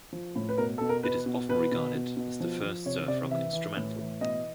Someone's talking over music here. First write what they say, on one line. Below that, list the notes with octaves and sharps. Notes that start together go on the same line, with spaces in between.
It is often regarded as the first surf rock instrumental.
F3
A2
B4
B2 A#4
B2 A4
A#4
B2 B4
B2
B2 B4
B2
B2
B2
F3
F3
C3 C#5
C3 D5
E3 E5
E3
A2
E3
B2 D#5